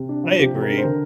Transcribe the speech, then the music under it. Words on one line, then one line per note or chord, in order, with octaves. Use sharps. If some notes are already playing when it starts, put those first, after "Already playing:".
I agree.
Already playing: C3
D4
F3
C3 G4
C3
A#4
D4
C5
D3 A#4